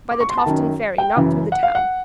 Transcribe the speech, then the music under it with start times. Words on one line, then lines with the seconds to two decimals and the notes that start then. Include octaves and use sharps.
"By the Tofton Ferry, not through the town."
0.11 D6
0.20 C#6
0.30 C6
0.38 A5
0.46 F#2 D#3
0.98 G5
1.16 F#2 C#3 E3
1.52 F#5
1.63 F5
1.75 F#5